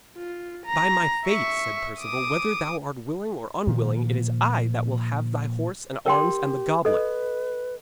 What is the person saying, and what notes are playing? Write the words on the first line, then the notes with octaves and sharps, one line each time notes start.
'By my faith,' said Perceval, 'whether thou art willing or unwilling, it is I that will have thy horse and arms and the goblet.'
F4
A#5
E5 C#6
D6 D#6
A#2 D#3 F3
G4 A#4 G5 C6
A4 B4 D#5